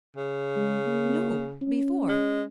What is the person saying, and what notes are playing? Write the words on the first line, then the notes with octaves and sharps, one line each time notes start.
"No, before."
C#3
G#3
A#3
C#4
G#3